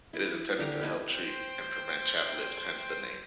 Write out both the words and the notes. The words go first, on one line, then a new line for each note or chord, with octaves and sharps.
It is intended to help treat and prevent chapped lips, hence the name.
E4
D3 G4 A#5
A3 D#4 E4
C5 G5 G6